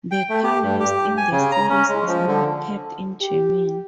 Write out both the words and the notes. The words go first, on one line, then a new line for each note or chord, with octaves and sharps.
The car used in the series is now kept in Germany.
G5
A3
G4
G2
G4
G#5
C#3
A#5
C#4
G#3
F3
D3
G4